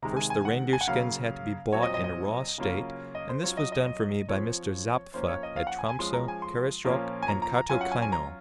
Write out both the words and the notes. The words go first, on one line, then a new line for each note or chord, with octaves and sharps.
First the reindeer-skins had to be bought in a raw state, and this was done for me by Mr. Zappfe at Tromsoe, Karasjok, and Kaatokeino.
C3 D#3 G#3 A#5
G#5
G#5
F#5
G#5
F#5
C#3 F#3 A#3 F5
A#2 F#3 C4 C#5
D#5
D#5
D#5
C#3 F#3 A#3 C#4 F4
D#5
C5
F#3 C#4 F4 C#5
D#5
D#5
C#5
D#5
F3 C4 F4 C#5
F3 A#3 C#4 F4 C5
C#5
D#5
F5
F#5
G#5
G#5
F3 G#3 C#4 C6
A#5
G#5
C6
A#2 F3 A#3 C#4
G#5
A#5
A#5
A#5
F#3 C#4 F4 G#5
F#5
G#5
G#5
A#5